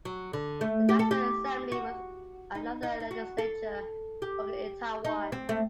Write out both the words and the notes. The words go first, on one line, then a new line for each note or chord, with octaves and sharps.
The National Assembly was another legislature organ in Taiwan.
F#3
D3
A3
G4
A4
G4
F#4
D#4
D#4
D#4
F#4
A4
G4
D#4
C4
A3